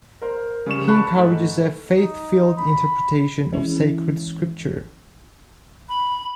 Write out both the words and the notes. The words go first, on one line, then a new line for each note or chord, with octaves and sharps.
He encourages a "faith-filled interpretation of Sacred Scripture".
A#4 C5
C#3 G3 C#6 E7
A5 B5 C#6 F#6
G#2 A3
D#4
B5
E3 G#3 C#4 E4
B5